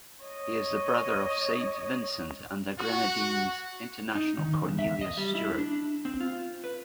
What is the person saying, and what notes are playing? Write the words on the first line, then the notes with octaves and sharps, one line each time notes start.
He is the brother of Saint Vincent and the Grenadines international Cornelius Stewart.
C#5 D#5
F#4
D#4
D#3
E2
E5
D#5
G3
E4
D4
C4
F4
B4